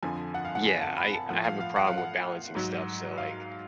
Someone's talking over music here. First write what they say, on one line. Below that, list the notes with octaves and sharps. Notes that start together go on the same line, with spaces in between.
Yeah, I I have a problem with balancing stuff, so, like,
F2 D3 F3 G#5
F#5
F5
F#5
G#5
A5
B5
A5
A2 F3 F#5
F5
F5
F#5
F5
F#5
G#2 F#3
F5